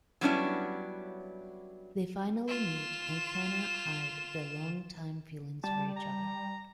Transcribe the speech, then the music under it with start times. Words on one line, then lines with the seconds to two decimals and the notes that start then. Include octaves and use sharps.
They finally meet and cannot hide their long-time feelings for each other.
0.21 F#3 G3 B3 C#4 D4 E4
2.48 F4 E7
5.64 G3 A5
5.96 A#5